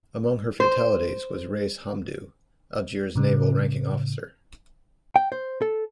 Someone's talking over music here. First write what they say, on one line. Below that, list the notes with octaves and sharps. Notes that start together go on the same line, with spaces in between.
Among her fatalities was Rais Hamidu, Algiers' ranking naval officer.
C5
A2 C#3
G5
C5
A4